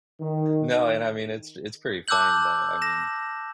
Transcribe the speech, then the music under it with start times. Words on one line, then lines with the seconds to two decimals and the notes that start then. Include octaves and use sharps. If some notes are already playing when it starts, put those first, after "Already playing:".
No, and I mean, it's it's pretty funny, but I mean
0.21 D#3
2.08 A5 D6 E6 F#6 G6 F#7
2.82 A#6 E7